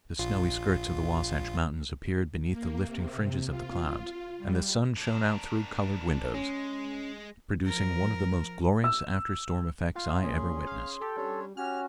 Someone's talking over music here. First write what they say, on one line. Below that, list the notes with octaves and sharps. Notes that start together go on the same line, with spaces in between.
The snowy skirts of the Wahsatch Mountains appeared beneath the lifting fringes of the clouds, and the sun shone out through colored windows, producing one of the most glorious after-storm effects I ever witnessed.
A#1 F4
A#3
C3
F4
G3
D4 A#4
G#3 C#4
F3 A#4
E6
F4 F5 C6
A#2 C#4 G#4
F5
G4 A4
G3 C#4 D4 C#5
C#4 F#4 G4 C#5 F6